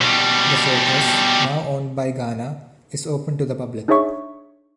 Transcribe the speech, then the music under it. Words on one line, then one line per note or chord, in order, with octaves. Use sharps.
The fortress, now owned by Ghana, is open to the public.
B2 G3
D4 D#4 G#4 C#5 E5 C#6